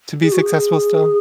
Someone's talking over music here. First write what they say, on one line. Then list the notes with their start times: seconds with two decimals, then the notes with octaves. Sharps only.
to be successful still?
0.23 G#4
0.32 F#4
0.42 G#4